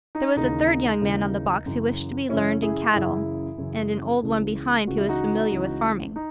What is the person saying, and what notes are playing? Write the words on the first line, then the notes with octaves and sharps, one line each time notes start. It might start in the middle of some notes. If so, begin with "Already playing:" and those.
There was a third young man on the box who wished to be learned in cattle; and an old one behind, who was familiar with farming.
D#4
D#2 C#3 E3 D#4
D#2 C#3 E3
F#2 C#3 E3
F#2 C#3 E3 C#4 E4
E4 G#4
F#2 C#3 E3 E4 G#4
F#2 C#3 E3
C#2 C#3 E3
C#2 C#3 E3 F#4
E4
D#4 F#4
C#2 C#3 E3
D#4